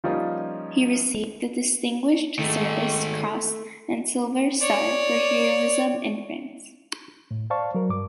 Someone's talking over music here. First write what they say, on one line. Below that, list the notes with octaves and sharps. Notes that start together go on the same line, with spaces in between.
He received the Distinguished Service Cross and Silver Star for heroism in France.
F3 G3 A#3 C#4 D#4 F4
D#3 G#3 A3
C#5 D5
A2
C5 D5 F5 A5 C#6
F#3 A#4
G2 D6